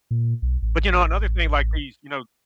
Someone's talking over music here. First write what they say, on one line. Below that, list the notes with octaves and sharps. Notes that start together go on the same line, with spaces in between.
But you know, another thing, like, these, you know
A#2
B1
A1